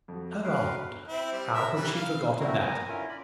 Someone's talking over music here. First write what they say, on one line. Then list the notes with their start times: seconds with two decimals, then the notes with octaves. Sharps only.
Her art--how had she forgotten that?
0.08 F2 F#4
0.44 D3 B3 F#4 A#4 B4 F5
1.08 C4 E4
1.32 G3 C4
1.52 A#4 E5
1.74 E3 G3 B4
1.94 F5
2.40 A3 C4 E4 F#4 A#4
2.60 B3 A#4 G#5 A#5
2.88 D3 C#4 E4 F4 A#4
3.09 D5 B5